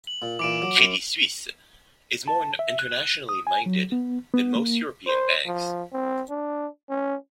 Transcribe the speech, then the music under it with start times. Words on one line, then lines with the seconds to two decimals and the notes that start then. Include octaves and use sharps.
Credit Suisse is more internationally minded than most European banks.
0.07 F#7
0.22 A#2
0.39 A#2 E3 D6 D7 E7
0.62 F#3
0.78 F#2
2.28 A5
2.59 E5
2.79 F#6
3.29 D#6
3.47 G#5
3.66 F#3
3.92 B3
4.34 B3
4.56 A#3
5.07 C5
5.46 F3
5.93 C4
6.30 D4
6.90 C#4